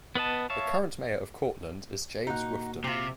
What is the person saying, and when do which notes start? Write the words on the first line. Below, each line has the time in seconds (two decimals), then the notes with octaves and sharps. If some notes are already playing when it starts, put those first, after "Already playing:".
The current mayor of Cortland is James Woofter.
0.15 B3 B4 D#5 A5
0.50 C#5 E5 F5 A5
2.27 A#2 D#4 F#4 F#5
2.84 C3 F4 G4